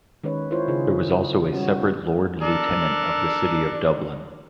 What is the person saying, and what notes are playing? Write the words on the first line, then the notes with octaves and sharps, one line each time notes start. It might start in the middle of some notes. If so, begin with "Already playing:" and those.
There was also a separate Lord Lieutenant of the City of Dublin.
D#3 G#3 C#4 B4 C#5
E4 F4 A#4 C5 C#5
C#3 D#4 F4 G#4 B4
G3 C#4 F#4
D4 A4 A#4